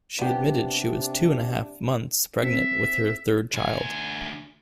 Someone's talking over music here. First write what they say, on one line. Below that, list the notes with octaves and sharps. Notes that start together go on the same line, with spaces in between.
She admitted she was two-and-a-half months pregnant with her third child.
C3 B3 D4 G4
C4 E5
D2 G#5